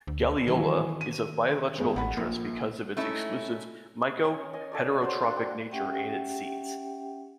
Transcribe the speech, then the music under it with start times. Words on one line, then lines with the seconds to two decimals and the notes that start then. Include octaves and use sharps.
"Galeola" is of biological interest because of its exclusive myco-heterotrophic nature and its seeds.
0.07 D2
0.48 D#3 E3 F#3
1.01 D#7
1.78 G#1 G#3 B3
1.96 A1 F#5 B5
2.17 A#1 A#3
2.97 A3 C#4 D#4 E4
4.24 C#4 C#5
4.53 D#5 G#5
4.72 A4 C#5 D5
5.02 F#4 B4 C5
5.23 D4
5.37 G5
5.71 C#4 G4 E5 F#5 G5